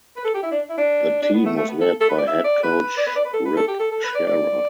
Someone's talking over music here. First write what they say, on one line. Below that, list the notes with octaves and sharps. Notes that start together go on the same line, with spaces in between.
The team was led by head coach Rip Scherer.
B4
A4
G4
E4
D4
E4
D4
D4
B3
A3
A3
B3
A4
A4
B4
D5
E5
D5
B4
D5
B4
D5
B4
A4
B4
A4
G4
A4
A4
B4
D5
D5